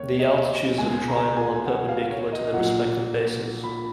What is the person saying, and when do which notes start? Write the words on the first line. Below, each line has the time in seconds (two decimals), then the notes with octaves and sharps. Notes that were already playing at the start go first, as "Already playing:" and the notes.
The altitudes of a triangle are perpendicular to their respective bases.
Already playing: D#2 C#5
0.19 D#5
0.78 C#2 B2 G#3 G#5
1.08 A#5
1.37 G#5
1.66 F#5
1.88 F5
2.10 C#5
2.32 D#5
2.54 A#1 A#2 F#3 F#5
3.64 B5